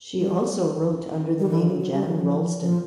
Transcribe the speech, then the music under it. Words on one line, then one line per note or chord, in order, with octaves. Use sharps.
She also wrote under the name Jan Ralston.
G3
G3
E3
F3
F#3
F#3
G3
F3
F#3
F3
F3